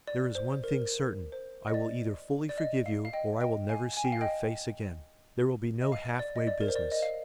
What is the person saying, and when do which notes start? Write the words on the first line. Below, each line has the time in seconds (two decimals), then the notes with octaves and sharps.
'There is one thing certain; I will either fully forgive you, or I will never see your face again. There will be no half-way business.
0.07 D5
0.35 C5
0.64 A#4
1.32 C5
1.68 D#5
1.74 D5
2.49 D5
2.58 D#5
2.86 F5
3.05 F5
3.13 D#5 G5
3.41 D#5 G5
3.69 F5 G#5
3.97 G#5
4.05 G5
4.12 F5
4.21 D#5 G5
5.81 D#5
5.92 F5
6.19 D5
6.36 D#5
6.47 D5
6.61 A#4
6.68 C5
6.75 D5
6.92 D#5
7.02 F5